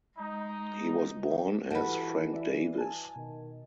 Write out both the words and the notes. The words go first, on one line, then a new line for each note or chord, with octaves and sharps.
He was born as Frank Davis.
G#3 D#4
E3 F#4 G4 A4 B4 A5
D5 E5
G#5 A5
B2 D#3